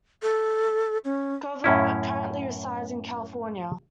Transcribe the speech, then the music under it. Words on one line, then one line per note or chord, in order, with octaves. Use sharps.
Covert currently resides in California.
A4
C#4
F#2 A2 C#4 E4